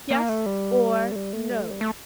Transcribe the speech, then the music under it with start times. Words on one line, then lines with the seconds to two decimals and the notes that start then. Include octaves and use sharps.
"Yes, or no?"
0.11 A#3
0.29 A3
0.46 G3
1.12 A3
1.16 G3
1.33 A3
1.51 G3
1.60 A3
1.70 G3
1.81 A3